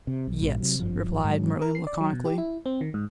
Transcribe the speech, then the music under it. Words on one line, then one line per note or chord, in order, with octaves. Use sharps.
"Yes," replied Merlin laconically.
C3
B1
A#1 G#2 B2
C3 F#3
G#1 G2 F3
G#2 F#3
A#4
C7
D5
F#3
B2
G4
E4
C4
D#3
G#2